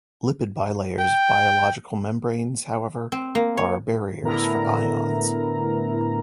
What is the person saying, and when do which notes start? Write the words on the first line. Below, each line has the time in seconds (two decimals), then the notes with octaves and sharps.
Lipid bilayers of biological membranes, however, are barriers for ions.
1.00 G5
3.12 C4
3.35 A#3
3.57 C#5
4.23 A2 D3 B3 E4 A#4 A#5